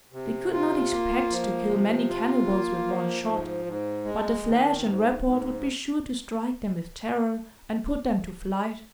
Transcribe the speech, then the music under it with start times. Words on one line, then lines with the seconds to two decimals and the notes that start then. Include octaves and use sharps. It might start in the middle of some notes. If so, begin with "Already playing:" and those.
They could not expect to kill many cannibals with one shot, but the flash and report would be sure to strike them with terror, and put them to flight.
0.13 C3
0.53 F4
0.91 A#3
1.30 F3
1.70 C3
2.09 F4
2.48 A#3
2.88 F3
3.27 G#2
3.65 G#2
4.05 G#3
4.43 D#3
4.83 G#2
5.23 G#2